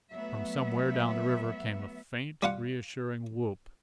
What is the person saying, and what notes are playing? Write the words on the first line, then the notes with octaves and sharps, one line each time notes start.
And from somewhere down the river came a faint reassuring whoop.
F#3 A3 B3 E5
G3 F4 F#5